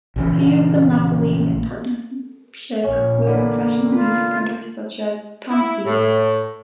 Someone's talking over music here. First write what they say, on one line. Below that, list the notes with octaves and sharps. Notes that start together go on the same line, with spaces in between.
He used the monopoly in partnership with professional music printers such as Thomas East.
A#1 C#3 E3
A#1 A#2 C#4
D3 E3 A#3 B4
F4 B4
E4
A2